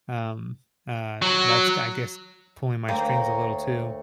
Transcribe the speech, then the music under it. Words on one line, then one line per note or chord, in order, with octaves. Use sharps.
um, uh, that's, g I guess, pulling my strings a little too.
F#3
D2 A#3 C#5 G5 A#5